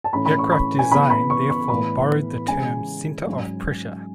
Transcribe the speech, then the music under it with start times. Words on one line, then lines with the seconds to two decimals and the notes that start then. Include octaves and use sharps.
Aircraft design therefore borrowed the term center of pressure.
0.04 A5
0.13 A2 E3 A3 C#4 B5
0.26 B5
0.39 C#6
0.52 B5
0.79 G#5
0.91 C#3 E3 B3 B5
1.10 B5
1.30 C#6
1.50 C#6
1.69 A2 E3 B3 B5
2.47 C#3 E3 G#3 C#4 G#5
3.27 G#2 F#3 C#4